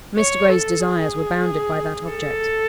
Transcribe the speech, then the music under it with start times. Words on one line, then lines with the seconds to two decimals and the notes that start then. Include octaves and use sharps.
Mr. Gray's desires were bounded by that object.
0.17 C#5
0.49 A4
0.81 G#4
2.11 A4